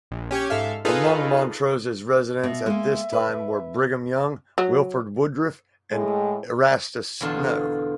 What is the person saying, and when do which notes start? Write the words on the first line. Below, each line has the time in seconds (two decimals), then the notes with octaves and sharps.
Among Montrose's residents at this time were Brigham Young, Wilford Woodruff and Erastus Snow.
0.11 A#1
0.31 C#4 G4 C#5 G#6
0.50 G#2 A4 E5 F5
0.85 D#4 F4 G#4 A4 B4 F5
2.43 B2 E5
2.66 G#3 A#3
3.13 B4
4.58 F#3
5.92 A2 G#3
7.21 E2 B2 D3 F4 A5